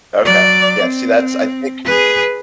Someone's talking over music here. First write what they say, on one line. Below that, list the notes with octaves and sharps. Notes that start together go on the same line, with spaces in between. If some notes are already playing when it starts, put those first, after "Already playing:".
Okay, yeah, see, that's I think
F#3 D5
C4
G#4 B4